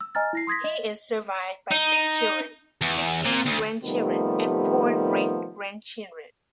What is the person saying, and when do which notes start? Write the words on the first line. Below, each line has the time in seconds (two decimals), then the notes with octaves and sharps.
He is survived by six children, sixteen grandchildren and four great grandchildren.
0.01 E6
0.15 D#5 G#5 A#5 F6 A6
0.33 E4 A#6 C7
0.47 C6 D#6 G#6 A#6 B6
0.64 D#5
1.71 D#4
2.82 E2
3.25 A#2
3.46 D2
3.84 C3 D#3 F3 G3 A3 B3